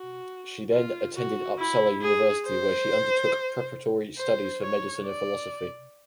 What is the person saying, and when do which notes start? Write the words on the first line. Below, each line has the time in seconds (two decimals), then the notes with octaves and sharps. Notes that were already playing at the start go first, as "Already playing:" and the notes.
She then attended Uppsala University where she undertook preparatory studies for medicine and philosophy.
Already playing: F#4
0.73 F4
1.16 F#4
1.59 E4
2.02 G#4
2.46 C5
4.18 C5
4.61 C#5
5.04 D5